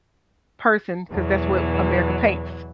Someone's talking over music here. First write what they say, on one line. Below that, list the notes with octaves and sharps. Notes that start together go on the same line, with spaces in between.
person 'cause that's what America paints
E2 B2 E3 F#3